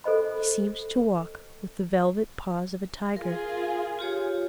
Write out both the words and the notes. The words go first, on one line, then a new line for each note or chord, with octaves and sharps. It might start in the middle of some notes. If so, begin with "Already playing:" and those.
He seemed to walk with the velvet paws of a tiger.
A4 C5 D#5 B5
F4 G#4 A#4
F4 G4 C#5